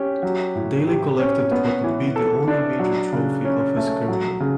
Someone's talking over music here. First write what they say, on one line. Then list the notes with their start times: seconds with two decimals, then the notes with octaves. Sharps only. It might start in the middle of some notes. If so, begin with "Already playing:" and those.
Daley collected what would be the only major trophy of his career.
Already playing: C#4 G4
0.23 F#3
0.55 A2
0.87 G4
1.19 C#4
1.52 B3
1.84 E3
2.16 A4
2.48 D4
2.79 F#3
3.12 C#3
3.45 C#4
3.77 A3
4.08 F#3
4.40 C#3